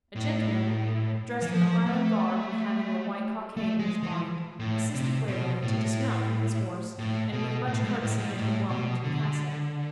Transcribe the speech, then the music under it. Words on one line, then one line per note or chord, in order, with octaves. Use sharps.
A gentleman, dressed in the Highland garb and having a white cockade in his bonnet, assisted Waverley to dismount from his horse, and with much courtesy bid him welcome to the castle.
A2
E3
F3
A3
A3
G#3
E3
A2
C3
B2
A2
A2
B2
A2
G#2
A2
G#2
A2
B2
D3